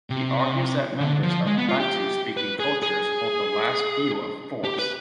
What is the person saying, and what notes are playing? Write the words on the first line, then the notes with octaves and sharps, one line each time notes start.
He argues that members of Bantu-speaking cultures hold the last view of force.
C3
D3
F3
G#3
B3
F4
G4
B4
G#4
G#4
G4
B4